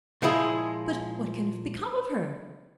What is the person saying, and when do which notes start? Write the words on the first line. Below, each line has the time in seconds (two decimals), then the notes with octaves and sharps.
"But what can have become of her?"
0.22 A#2 F3 G#3 E4 G#4